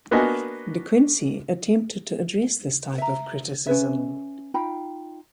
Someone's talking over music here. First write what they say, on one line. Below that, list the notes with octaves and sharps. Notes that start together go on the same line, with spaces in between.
De Quincey attempted to address this type of criticism.
A#3 B3 D4 F#4 D#5 G#5
E5 A#5
C#4 B4 E5
D#4 F4 G5 B5